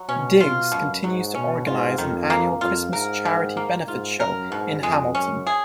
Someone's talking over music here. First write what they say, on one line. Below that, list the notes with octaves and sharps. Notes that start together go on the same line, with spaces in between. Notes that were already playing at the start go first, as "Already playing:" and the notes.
Digs continues to organize an annual Christmas charity benefit show in Hamilton.
Already playing: F#3
B2 C#4
B2 F4
F#2 B2
G#2 F#3
B2 C#4
G#2 F4
F2 D#3
A#3
F2 F4
G#2 A#4
D#3
A#3
G#2 F4
F#2 A#4
G#2 B2
F2 G#3
F#2 C#4
G#4